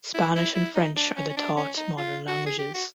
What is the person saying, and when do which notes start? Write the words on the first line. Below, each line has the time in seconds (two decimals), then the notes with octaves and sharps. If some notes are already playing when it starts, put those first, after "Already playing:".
Spanish and French are the taught modern languages.
0.14 E4
0.35 E4
0.55 E4
0.75 D#4
0.96 D4
1.16 C#4
1.29 C#4
1.37 D4
1.57 C#4
1.77 D#4
1.97 F4
2.28 F#4
2.46 G#4
2.59 G4
2.74 F#4